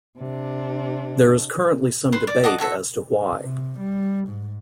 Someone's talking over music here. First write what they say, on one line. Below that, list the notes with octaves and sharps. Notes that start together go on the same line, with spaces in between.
There is currently some debate as to why.
C3 D4
B4 C5 B5 C6
D5
D#5 F#5 A5 D6
E4 F#4 A4 E5
C3
G3
G#2